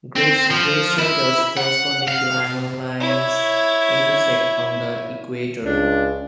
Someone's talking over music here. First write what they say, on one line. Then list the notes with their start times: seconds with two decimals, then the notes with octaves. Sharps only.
Great circles corresponding to parallel lines intersect on the equator.
0.16 C4
0.51 F3
0.99 E4
1.57 F#5
2.08 F5
3.00 E4 C#5
5.65 C#2 D4